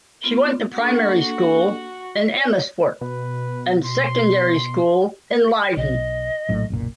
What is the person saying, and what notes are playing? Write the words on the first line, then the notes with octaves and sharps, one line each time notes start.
She went to primary school in Amersfoort and secondary school in Leiden.
B3 C4 F4
A#3 D4 F#4 A4
C#5 D5
B2 B4
C6
B1 D#5
A#1 A2 F#3
F#1 B1 A#2